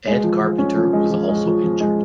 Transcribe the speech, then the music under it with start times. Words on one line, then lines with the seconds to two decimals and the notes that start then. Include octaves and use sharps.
Ed Carpenter was also injured.
0.07 G#3
0.24 F3
0.41 F3
0.58 C#4
0.76 F3
0.93 G#3
1.10 F3
1.29 G#3
1.46 F3
1.63 F3
1.81 G#3